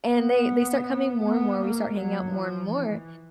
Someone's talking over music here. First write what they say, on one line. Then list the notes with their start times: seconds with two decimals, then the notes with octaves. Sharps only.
and they they start coming more and more, we start hanging out more and more,
0.15 B3
1.24 B3
1.61 A#3
1.97 F#3
2.33 F3
2.70 E3